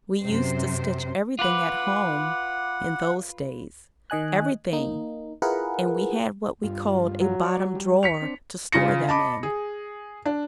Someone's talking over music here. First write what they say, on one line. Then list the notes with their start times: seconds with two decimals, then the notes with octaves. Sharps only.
We used to stitch everything at home in those days--everything; and we had what we called a "bottom drawer" to store them in.
0.22 F#2 C3 C5
1.39 F4 B4 F#5 D6
4.10 D#3 D#5 G#5 F#6
4.73 A#3 D#4
5.42 E4 F4 G#4 A#4 B4 F#5
6.64 G2 F4
7.21 F#3
7.43 C#5 D5
7.75 G3
8.03 B6 C#7 F7
8.22 C4 D4
8.72 C#3 F4 A#6 C#7
9.07 D#5 A5 B5 D6
9.43 G#4
10.26 D4